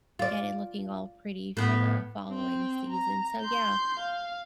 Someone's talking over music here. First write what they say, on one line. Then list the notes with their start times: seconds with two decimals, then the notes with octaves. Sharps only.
get it looking all pretty for the following season. So, yeah,
0.19 F4 D5
1.57 A2 B3
2.28 C4 G5
2.89 A#5
3.41 C6 G6
3.99 F5